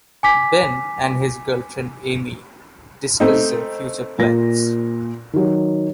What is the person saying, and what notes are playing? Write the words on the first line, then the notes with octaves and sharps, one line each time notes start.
Ben and his girlfriend Amy discuss their future plans.
G#5 D6 B6
A3 C4 D#4
A#2 A#6
D#3 F#3